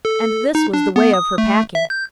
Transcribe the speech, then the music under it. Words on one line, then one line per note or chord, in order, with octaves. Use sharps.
And this was the way of her packing.
A4
D#4
D4
B3
D#6
A3
E5
G6